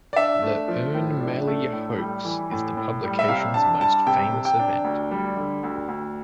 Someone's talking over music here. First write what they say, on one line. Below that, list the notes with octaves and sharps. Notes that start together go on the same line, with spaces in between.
The Ern Malley hoax is the publication's most famous event.
D5
D4 E5
A3
F3
A2
D4
A3
A2
G3
E3
A2
A2
G3
E5
C3 F5
D4 A5
G3 A5
C3 G5
C3
G5
D4
D2
G3
D3
D2
D2